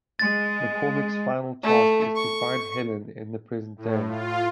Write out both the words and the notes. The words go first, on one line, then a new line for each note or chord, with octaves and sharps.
McCormick's final task is to find Helen in the present day.
G#3 A6
A3
C#6
A2
F4